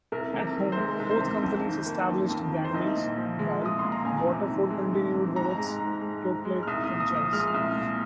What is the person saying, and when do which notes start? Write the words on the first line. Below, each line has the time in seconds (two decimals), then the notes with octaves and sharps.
At home, both companies established brand names, while Waterford continued with its Yoplait franchise.
0.12 C2 A#4
0.34 C3
0.56 D#3
0.72 C5
0.77 G#3 A#4
0.99 C2
1.10 C5
1.21 C3
1.43 F2
1.65 D#3
1.86 A#3
2.09 F2
2.30 F2
2.52 D#3
2.65 C5
2.74 C2 D#5
2.96 A#2
3.18 F3
3.39 G#3
3.61 C2 D#6
3.79 A#2 C6
3.92 A#5
4.05 F2 G#5
4.27 C3
4.49 D#3
4.70 G#3
4.92 F2
5.14 C3
5.36 G#2 A#5
5.58 G#3
5.80 G#2
6.02 G#3
6.23 G#2
6.45 G#3
6.63 F6
6.67 C2 D#6
6.84 D#6
6.89 A#2
7.00 D#6
7.11 F3
7.16 D#6
7.33 G#3 F6
7.40 D#6
7.47 F6
7.54 C2
7.76 A#2